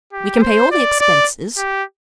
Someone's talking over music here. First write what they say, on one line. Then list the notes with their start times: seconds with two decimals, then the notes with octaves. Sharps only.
We can pay all the expenses.
0.13 G4
0.42 C5
0.71 D5
1.00 D5
1.57 G4